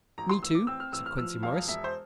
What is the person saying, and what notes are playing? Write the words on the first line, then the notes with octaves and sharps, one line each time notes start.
"Me too?" said Quincey Morris.
A1 A#5
C6
A1 E6
D6
C4 E6
F6
A1 E6
F6
F3 E6
E1 F5
E1 E5
C5